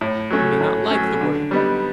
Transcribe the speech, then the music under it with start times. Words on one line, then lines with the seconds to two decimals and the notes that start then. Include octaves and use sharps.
You may not like the word.
0.01 A2
0.30 F#3 A3 C#4
0.61 A2
0.90 F#3 A3 C#4
1.21 D3
1.51 G3 B3 D#4